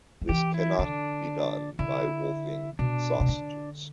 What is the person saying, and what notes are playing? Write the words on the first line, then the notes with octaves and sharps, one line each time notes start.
This cannot be done by wolfing sausages.
G3
E3 G4
E4
D3 D4
D3 E4
B2 D4
B2
D3